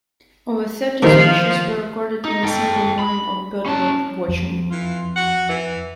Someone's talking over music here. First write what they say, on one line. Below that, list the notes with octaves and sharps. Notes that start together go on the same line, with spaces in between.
Over thirty species were recorded in a single morning of bird watching.
A2 C3 D#3 F3
D#4
A4 G5
B5
C#4 A5
F2
E3 F4
F#4 F#5
E3